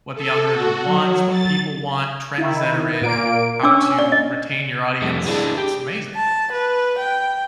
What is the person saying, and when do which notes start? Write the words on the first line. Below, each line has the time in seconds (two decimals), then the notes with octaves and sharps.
What the algorithm wants, what people want, trends that are in, how to retain your audience, it's amazing.
0.15 A4
0.51 F#4
0.84 F#3
1.30 A6
2.38 D#3 E4
3.02 A#2 A#3 D7
3.63 C#4 D4 D6 E6
3.99 D5
4.12 D#5
5.02 F2 G3 A3
5.26 D4 E4 G#4
5.58 G4
6.15 A5
6.52 B4
6.98 G5